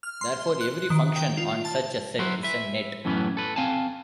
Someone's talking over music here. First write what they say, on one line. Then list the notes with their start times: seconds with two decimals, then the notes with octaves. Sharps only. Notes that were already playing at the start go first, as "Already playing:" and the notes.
Therefore every function on such a set is a net.
0.03 F6
0.21 C6
0.61 F#6
0.90 D#3
1.16 G5
1.37 F4
1.65 A5
2.19 F#3 E4 F#4 C5
2.43 B4 E5
3.05 F#2 A2 E3 F#3 B3 C#4
3.37 A4 B4
3.56 C4 F5 G#5 A5